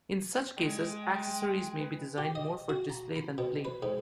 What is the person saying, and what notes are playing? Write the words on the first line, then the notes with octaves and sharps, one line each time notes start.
In such cases accessories may be designed more for display than play.
G#3 G5
B4
G4
D#5
F#4
A#5
B5
B2
B4
G#2